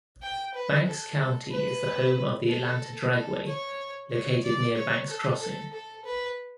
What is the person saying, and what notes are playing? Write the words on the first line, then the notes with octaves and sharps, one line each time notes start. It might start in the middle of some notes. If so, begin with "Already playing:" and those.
Banks County is the home of the Atlanta Dragway, located near Banks Crossing.
G5
B4
A4
B4
A4
A4
C#5
C#5
D5
C#5
A4
A4
A4
B4